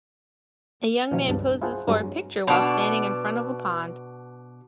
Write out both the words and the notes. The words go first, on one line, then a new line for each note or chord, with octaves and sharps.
A young man poses for a pictures while standing in front of a pond.
A#2 D#3 F3 F#3
C#2 G2 A5
E4 F4 G#4 C5 F#5 A5
G2 F#3 G#3 A#5
B2 D4